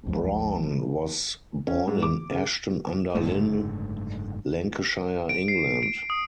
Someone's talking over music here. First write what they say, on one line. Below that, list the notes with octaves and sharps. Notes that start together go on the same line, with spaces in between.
Brawn was born in Ashton-under-Lyne, Lancashire, England.
A1 D#2 F3 G#3
C#4
G#2
D6
C#3
F#1 G#2 D3 A3
D7
C7
D7
D#6